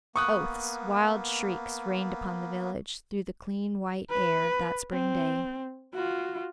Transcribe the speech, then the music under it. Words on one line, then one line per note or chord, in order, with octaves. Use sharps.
Oaths, wild shrieks rained upon the village through the clean white air of that spring day.
A#3 B3 C#6 D#6 F#6
B4
C4
F4 F#4